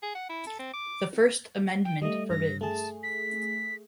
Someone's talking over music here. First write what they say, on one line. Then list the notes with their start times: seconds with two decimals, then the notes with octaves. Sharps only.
The First Amendment forbids.
0.02 G#4
0.15 F#5
0.29 E4
0.47 A4
0.59 C4
0.73 D6
1.85 G5
2.02 G3 A3 D#5
2.30 G2 A#6
2.61 A3 G#4 A5
3.03 B6